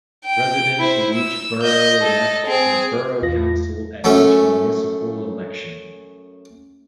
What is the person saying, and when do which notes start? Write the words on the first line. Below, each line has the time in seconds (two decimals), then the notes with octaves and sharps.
Residents of each borough elect their Borough Council at each municipal election.
0.25 G5
0.79 E4 C5
1.15 E6
1.64 D#5 G6
2.01 A4 D#5
2.47 C4 G#4
3.22 E2 F4 A#6
4.04 F#2 A3 C#4